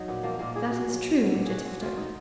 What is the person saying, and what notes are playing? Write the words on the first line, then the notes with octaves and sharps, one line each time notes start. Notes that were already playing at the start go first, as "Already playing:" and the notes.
"That is true, Major Tifto."
Already playing: F#3 D#4
A#2 B3
F3 A#3
A#2 A#3
F3 G#4
B2 F#4
F#3
B2
F#3
A#2
F#3 F#4 G#4
A#2 F#4
F#3 F4
D#4